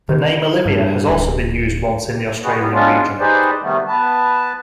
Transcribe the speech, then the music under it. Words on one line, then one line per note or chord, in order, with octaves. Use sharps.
The name Olivia has also been used once in the Australian region.
D#3
G2
D1
D#3 C4 D#4 F#4 G#4 B4
F2 A#2 G3 B3
G3 G#3 B3 C#4 D4 F4
D#4 G4 G#4 B4 C5 D5
C3 D#3 G3 A3 B3
B3 B4 A5